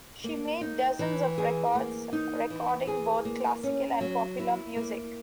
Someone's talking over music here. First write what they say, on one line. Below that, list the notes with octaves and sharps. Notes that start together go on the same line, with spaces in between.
She made dozens of records; recording both classical and popular music.
A#3
D#4
E3
G#4
A#3
D#4
E3
G#4
A#3
C#4
F#3
E4
A#3